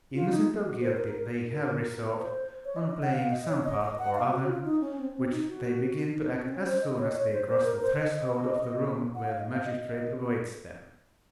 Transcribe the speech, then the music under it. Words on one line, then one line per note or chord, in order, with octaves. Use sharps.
Innocent or guilty, they have resolved, on playing some part or other, which they begin to act as soon as they cross the threshold of the room where the magistrate awaits them.
F4
D#4
F#4
C5
A#4
A#4
A#4
C5
C#5
D#5
D#5
F#5
F5
D#5
C#5
D#5
D#5
F#5
F5
F#4
F4
D#4
C#4
C4
C4
D#4
F#4
D#4
C4
C4
C#4
C5
D#5
C#5
D#5
C#5
C5
C5
A#4
C5
D#5
D#5
F#5
F5
D#5
F5
D#5
D#5
D#5